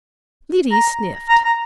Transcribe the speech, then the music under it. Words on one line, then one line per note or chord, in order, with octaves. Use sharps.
Liddy sniffed.
A#5
A#5
A#5